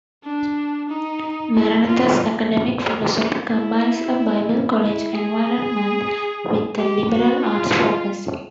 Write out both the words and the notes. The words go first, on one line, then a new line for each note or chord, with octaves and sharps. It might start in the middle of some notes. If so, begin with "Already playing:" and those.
Maranatha's academic philosophy combines a Bible college environment with a liberal arts focus.
D4
D#4
E4
F4
E4
E4
G#4
G4
F#4
F4
F4